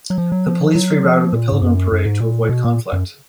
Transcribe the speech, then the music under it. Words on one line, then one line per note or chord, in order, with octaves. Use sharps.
The police rerouted the Pilgrim parade to avoid conflict.
F#3
F3
F#3
F3
F#3
F3
A#2
G#2
F#2
F#2
G#2
A#2
B2
A#2
F#2